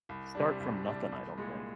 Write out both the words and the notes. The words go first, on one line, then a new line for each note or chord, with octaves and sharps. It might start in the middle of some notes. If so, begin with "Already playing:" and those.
start from nothing, I don't think.
C2
C3 G3 D4
C2
C3 G3 D4
C2
A#2 G#3